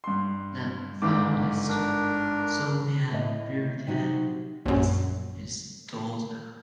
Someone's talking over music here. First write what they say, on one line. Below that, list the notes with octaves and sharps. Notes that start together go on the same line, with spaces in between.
The violist Sophia Reuter is his daughter.
G2 C6
G1 G#2 D6
D4 A#4
A2 D#5
C3 D#4 F#4
A#1 F#2